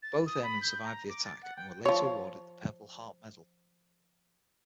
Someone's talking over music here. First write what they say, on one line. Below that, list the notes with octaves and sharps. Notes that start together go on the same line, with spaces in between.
Both airmen survived the attack and were later awarded the Purple Heart medal.
A6
D#6
B5
G6
A#5
D6
A6
F#5
G5
F3 C#5